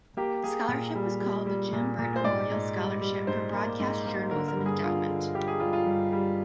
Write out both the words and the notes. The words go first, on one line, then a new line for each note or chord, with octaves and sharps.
The scholarship was called the Jim Burt Memorial Scholarship for Broadcast Journalism Endowment.
A#3 G4
A#3 G#4
A#2 A#4
G3
G3
G3
A#2
A#2
C5
G#2 D5
G#2
G3
G3
G#2 C5
A#3
G#2
A#3
D3 A#4
A#4
G2
G#4
D3 F4
D3
G3 G4
G#4
G3 F4
F4
G2
G3